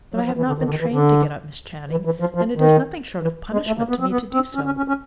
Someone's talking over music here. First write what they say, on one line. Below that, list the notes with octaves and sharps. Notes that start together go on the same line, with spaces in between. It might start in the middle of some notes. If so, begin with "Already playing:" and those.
"But I have not been trained to get up, Miss Channing; and it is nothing short of punishment to me to do so."
F#3
F3
E3
D3
D#3
D3
D#3
E3
D3
E3
E3
F3
F3
D#3
E3
G#3
A3
A#3
B3
C4
B3
C4
C#4
C#4
C#4
C#4